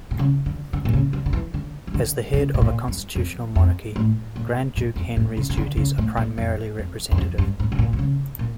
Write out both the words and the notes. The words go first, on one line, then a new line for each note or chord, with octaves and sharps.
As the head of a constitutional monarchy, Grand Duke Henri's duties are primarily representative.
A#2
C#3
D3
D3
A#2
C#3
D3
D3
E3
D3
E3
D3
C#3
A2
A#2
G2
F2
F2
A2
A#2
A#2
F2
A2
C#3
C#3
D3
C#3
A2
A#2
F2
F2
E2
F2
G2
A2
C#3
A#2
A#2
C#3
A#2